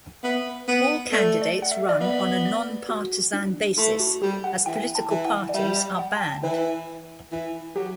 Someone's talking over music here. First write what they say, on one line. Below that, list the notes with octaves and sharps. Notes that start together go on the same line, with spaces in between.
All candidates run on a non-partisan basis, as political parties are banned.
B3 E5
B3
A3 D5
D5
F#5
E5
D5
B3 E5
D5
F#4
D4
A3 E4
F#4
G3 G4
F#5
E3 G5
A5
E3
F#5
D5
G3 E5
D5
F#5
A5
G5
E3 B4
E3
F#3 G4